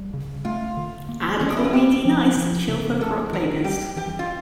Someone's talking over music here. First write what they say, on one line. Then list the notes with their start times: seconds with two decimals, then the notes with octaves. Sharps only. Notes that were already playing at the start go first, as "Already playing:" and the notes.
Add Call Me D-Nice to the Chill Folk Rock playlist.
Already playing: G3
0.14 C#3
0.45 A3 F4
0.77 D3
1.09 A#3
1.39 E3 C#4
1.49 D4
1.57 E4
1.64 F4
1.73 A#3 G4
2.05 F3
2.37 F3
2.68 C#3
3.00 A3 A4
3.33 E3 A#4
3.64 G3 G4
3.96 E3 G4
4.19 F4